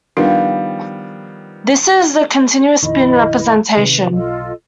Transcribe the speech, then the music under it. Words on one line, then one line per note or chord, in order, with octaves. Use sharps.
This is the "continuous spin" representation.
D#3 F3 G3 B3 D4 F4
A#1 F2 D#3 E4 D#5 B5
C3 D#3 B4
B1 F4 A4 D#5